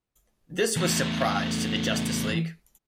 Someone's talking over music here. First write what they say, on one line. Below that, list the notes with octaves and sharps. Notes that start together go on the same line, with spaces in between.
This was surprise to the Justice League.
E2 A3